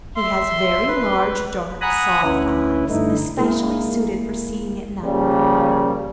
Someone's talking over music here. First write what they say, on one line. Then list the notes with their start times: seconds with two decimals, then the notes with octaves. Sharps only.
He has very large, dark, soft eyes, especially suited for seeing at night.
0.17 E5 C6
0.88 B4
1.82 F#5 G#5 A#5 B5 D#6 F#6
2.22 D2 C#4 E4 B4
2.89 G2 D3 A3 D#4 E4
3.38 G#3 A#3 E4 G#4 A#4
5.04 C#3 F3 G3 A#3